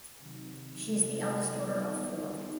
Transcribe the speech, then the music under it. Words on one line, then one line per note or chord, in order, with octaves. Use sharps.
She is the eldest daughter of four.
C3 D#3 F#3
D#3 G3 B3 D#4